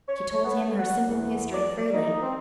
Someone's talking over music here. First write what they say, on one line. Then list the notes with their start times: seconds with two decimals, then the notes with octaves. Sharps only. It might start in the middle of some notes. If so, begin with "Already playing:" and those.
She told him her simple history freely.
0.08 C#5
0.44 B3
0.79 F#5
1.08 E2
1.54 D5
1.94 D#4
2.22 C4